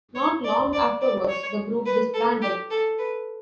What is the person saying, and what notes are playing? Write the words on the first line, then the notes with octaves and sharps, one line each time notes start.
Not long afterwards the group disbanded.
C#5
D5
D5
D5
C#5
B4
A4
G4
A4
B4